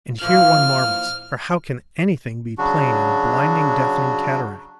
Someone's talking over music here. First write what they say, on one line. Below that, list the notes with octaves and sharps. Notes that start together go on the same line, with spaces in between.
And here one marvels; for how can anything be plain in a blinding, deafening cataract?
A#2 E3 F3 F6
C#3 F#3 D4 F#4